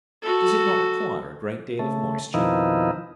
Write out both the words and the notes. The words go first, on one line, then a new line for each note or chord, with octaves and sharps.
Does it not require a great deal of moisture?
F#4 A4
C#3 A3
F2 B2 D#3 F3 D#4 E4